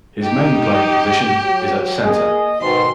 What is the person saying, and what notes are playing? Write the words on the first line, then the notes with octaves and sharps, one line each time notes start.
His main playing position is at centre.
D#4 G4
F#3
A#3 G#4 D#5
G#2 B2 D#3 C6